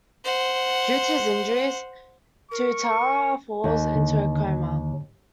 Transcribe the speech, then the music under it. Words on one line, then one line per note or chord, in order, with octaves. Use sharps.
Due to his injuries, Tuatara falls into a coma.
C5 F#5
A#4 C#6
D#2
D3